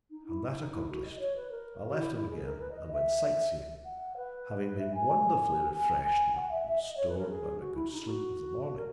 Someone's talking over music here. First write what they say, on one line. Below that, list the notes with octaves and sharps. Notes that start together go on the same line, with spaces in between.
And that accomplished, I left him again and went sight-seeing, having been wonderfully freshened up and restored by my good sleep of the morning.
D#4
E4
D#4
E4
F#4
D#5
C#5
B4
A#4
F#4
E4
E4
G#4
A#4
B4
D#5
D#5
E5
F#5
B4
E5
G#5
G#5
G#5
F#5
E5
E5
D#5
C#5
B4
A#4
G#4
F#4
E4
D#4
F#4
A#4